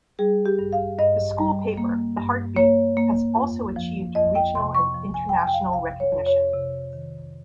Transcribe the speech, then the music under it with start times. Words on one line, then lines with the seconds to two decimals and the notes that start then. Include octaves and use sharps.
The school paper, The Heart Beat, has also achieved regional and international recognition.
0.19 G3 G#4
0.46 G4
0.59 G2
0.73 F5
0.99 G2 D#5
1.39 G3
1.77 A#3
2.17 G2
2.56 A#3 C#5
2.97 A#3
3.36 F2
3.76 F3
4.15 F2 D#5
4.35 G5
4.55 C3 C6
4.75 C#6
4.94 F3
5.14 G#5
5.29 G5
5.33 F2 G#5
5.47 G5
5.54 F5
5.73 C3 F5
6.00 C#5
6.13 F2
6.26 C#5
6.53 C3
6.93 D#3